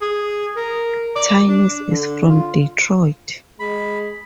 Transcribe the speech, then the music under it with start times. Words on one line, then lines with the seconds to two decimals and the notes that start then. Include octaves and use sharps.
Tynes is from Detroit.
0.01 G#4
0.56 A#4
1.16 D5
1.48 D4
1.89 D3
2.29 F4
3.60 G#3 G#4 B5